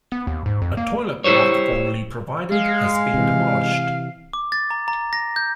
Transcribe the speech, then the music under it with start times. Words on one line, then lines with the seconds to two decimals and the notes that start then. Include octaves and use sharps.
A toilet block formerly provided has been demolished.
0.12 B3
0.27 D#2
0.46 G#2
0.62 F2
0.77 A#3
1.24 E4 G4 C5 C#5
2.52 G#3 F5
3.14 C3 E3
4.33 D6
4.52 A6
4.71 A#5
4.88 A#5
5.13 A#6
5.36 G6